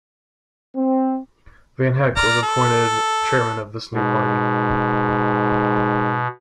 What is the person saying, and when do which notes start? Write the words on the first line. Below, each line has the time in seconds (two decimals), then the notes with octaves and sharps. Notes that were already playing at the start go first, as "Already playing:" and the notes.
Vanhecke was appointed chairman of this new party.
0.76 C4
2.16 D5 A#5 F6
2.43 A4
3.94 G#2 B2